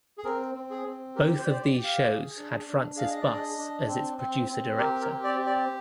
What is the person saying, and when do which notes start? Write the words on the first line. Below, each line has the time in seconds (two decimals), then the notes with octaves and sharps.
Both of these shows had Frances Buss as its producer-director.
0.18 G#4
0.24 C4 A#4
0.55 C4
0.70 G#4
0.86 C4
1.15 G4 A#4
1.38 C5
1.45 G4 D5
1.53 C5
1.61 D5
1.76 G4
1.84 F5
2.06 G#4
2.37 D4
2.66 D4
2.96 G#4 F5
3.10 D#5
3.21 D5
3.27 D4
3.33 D#5
3.58 D4
3.88 C4
4.18 C4
4.48 C4
4.78 G4 A#4
5.01 A#4
5.09 C4
5.24 D5
5.39 G4
5.46 D5